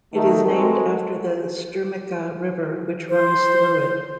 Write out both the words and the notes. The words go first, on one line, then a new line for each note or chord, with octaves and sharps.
It is named after the Strumica River which runs through it.
D#3 A3
G#3 C4 F#4 A4 A#4
C5